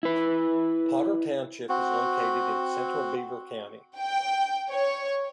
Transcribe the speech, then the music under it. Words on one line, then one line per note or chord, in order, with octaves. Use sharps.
Potter Township is located in central Beaver County.
E4 B4
C4 F#4
G5
C#5